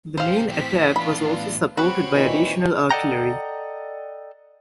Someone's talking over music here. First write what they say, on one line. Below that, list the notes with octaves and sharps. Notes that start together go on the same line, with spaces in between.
The main attack was also supported by additional artillery.
C#4 G4 C5 F5
A2 E3 C4 G4 B6
B3 D4 F4 B5
C4 F#4 G4 B4 C#5 B5
A#2 D#3 E3
A4 D5 D#5 F#5 G5 A#5